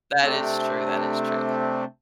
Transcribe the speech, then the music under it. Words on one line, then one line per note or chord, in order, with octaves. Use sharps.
That is true, that is true.
C3 A3 C4 D4